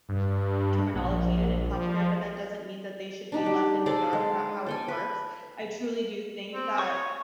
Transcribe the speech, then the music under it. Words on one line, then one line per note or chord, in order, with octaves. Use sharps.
terminology and in healthcare, but that doesn't mean that they should be left in the dark about how it works, I truly do think that
G2
A#1
F3
D4 D#4 G4
G3
G#4 A4 C5 D5
G#3
A4 G5 G#5
B4
C4
C#5 C#6 D#6